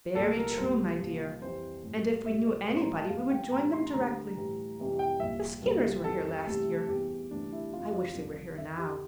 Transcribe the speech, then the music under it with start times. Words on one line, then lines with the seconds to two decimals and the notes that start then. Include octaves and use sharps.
"Very true, my dear; and if we knew anybody we would join them directly. The Skinners were here last year--I wish they were here now."
0.15 C2 A#2 F3 A4
0.37 A#4
0.52 A#4
0.57 C2 A#2 G3 C5
1.00 C2 A#2 F3
1.42 F2 E3 G3 C5
1.83 A2 G3
2.25 C2 A#2 G3 E5
2.47 D5
2.68 A2 G3 C5
2.77 C6
2.82 A#5
2.96 A5
3.10 E2 E3 G3 F5
3.31 G5
3.51 A2 E3 G3 A#5
3.73 C6
3.94 D2 D3 G3 A#5
4.36 A2 E3 G3
4.78 F2 C3 E3 G3
4.99 G5
5.20 C2 A#2 F3 E5
5.62 C2 A#2 G3
6.04 F2 E3 G3 A4
6.47 D2 C3 E3 G3
6.88 E2 E3 G3 G4
7.31 D2 C3 E3 G3 D4
7.52 E4
7.73 F2 E3 G3 F4
7.94 D5
8.15 C2 C3 F3
8.57 F2 E3 G3 E5
8.78 G4